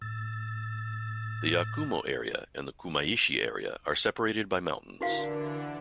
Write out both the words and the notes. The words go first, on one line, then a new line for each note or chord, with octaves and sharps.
The Yakumo area and the Kumaishi area are separated by mountains.
A2 E6 A6
D3 E3 D4 E4 F#4 A#4 F5